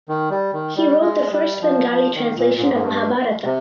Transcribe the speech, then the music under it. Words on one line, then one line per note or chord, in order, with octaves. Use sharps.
He wrote the first Bengali translation of Mahabharata.
D#3
G3
D#3
G3
G#3
G3
F3
F3
D#3
A#2
A#2
G#2
G#2
G2
C3